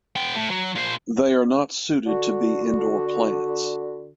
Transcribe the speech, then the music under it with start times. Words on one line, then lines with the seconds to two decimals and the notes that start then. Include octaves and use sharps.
They are not suited to be indoor plants.
0.16 B3 G5
0.35 A2
0.50 F#3
0.75 A#2 C5
2.05 D3 F#4